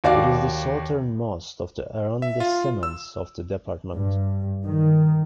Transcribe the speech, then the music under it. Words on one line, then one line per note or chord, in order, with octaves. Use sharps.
It is the southernmost of the arrondissements of the department.
D#2 F#4 D5 F5 D6
E5
F4
E6
G2
D#3